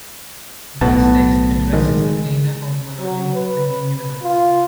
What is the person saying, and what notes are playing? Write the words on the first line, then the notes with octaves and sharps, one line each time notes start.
This text addresses the planar cosmology of the game universe.
B1 A2 B3 A5
D#3 G#3
F#3
B4
F4